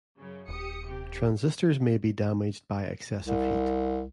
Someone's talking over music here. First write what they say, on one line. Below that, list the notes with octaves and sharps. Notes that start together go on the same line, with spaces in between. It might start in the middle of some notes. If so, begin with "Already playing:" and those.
Transistors may be damaged by excessive heat.
F#2 C#3
D#1 G4 D#6 C#7
C3 G4
C2